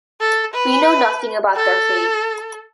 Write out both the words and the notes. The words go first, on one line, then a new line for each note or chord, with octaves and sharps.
We know nothing about their fate.
A4
B4
A4